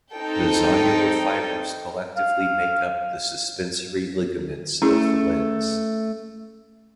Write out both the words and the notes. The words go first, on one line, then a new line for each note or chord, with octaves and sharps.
The zonular fibers collectively make up the suspensory ligament of the lens.
C4 D#4 A4 G5
F5
A3 C#4 E4 G#4